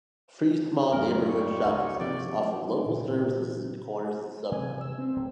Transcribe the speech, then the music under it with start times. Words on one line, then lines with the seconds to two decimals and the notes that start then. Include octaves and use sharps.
Three small neighbourhood shopping centres offer local services in the corners of the suburb.
0.93 F#2 G3 D#4 F4 A#4
1.29 C#5
1.65 C#2 G2
2.00 C3 F3 C4 D5
2.86 A#2 C#3
4.52 C3 E3 G3 G#5
4.81 E6
4.98 C4
5.16 D1